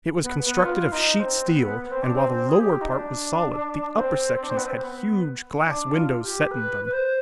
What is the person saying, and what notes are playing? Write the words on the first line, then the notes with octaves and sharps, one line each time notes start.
It was constructed of sheet steel, and while the lower part was solid, the upper sections had huge glass windows set in them.
B3
B3
F4
D#4
C4
B3
C4
D4
C4
C4
G#4
G4
D#4
D4
B3
C4
D4
C4
B3
C4
B3
D4
F4
G4
B4
B4
C5